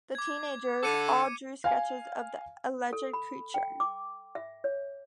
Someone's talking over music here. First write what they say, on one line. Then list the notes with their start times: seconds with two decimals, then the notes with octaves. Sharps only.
The teenagers all drew sketches of the alleged creature.
0.15 D6 G#6
0.83 D3 A4 F#5 D6 C#7 D#7
1.64 F5 G#5
2.93 A4
3.13 B5
3.54 G5
3.80 D6
4.35 E5
4.64 C#5